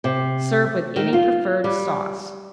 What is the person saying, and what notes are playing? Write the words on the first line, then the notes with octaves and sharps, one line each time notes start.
Serve with any preferred sauce.
C3
D#3
F4
G3